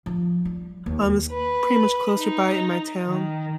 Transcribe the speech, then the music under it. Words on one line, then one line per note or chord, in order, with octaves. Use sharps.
Um, it's pretty much closer by in my town.
F3
G3
D#2
B4
D#4
D#3